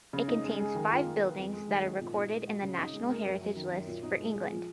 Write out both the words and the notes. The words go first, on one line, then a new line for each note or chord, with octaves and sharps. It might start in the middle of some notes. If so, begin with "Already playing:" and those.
It contains five buildings that are recorded in the National Heritage List for England.
C#3
D#4
G#3
G#4
D#3
F4
A#3
B4
F2
G#3
D#3
D#4
A#2
D#4
G#3
F#4
C#3
D#4
G#3
A#4
F#2
F#3
D#3
F#2
A#2
D#4
G#3
G#4
F3